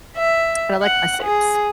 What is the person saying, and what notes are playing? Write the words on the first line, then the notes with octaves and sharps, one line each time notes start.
but I like my soups.
E5
F#5
G#4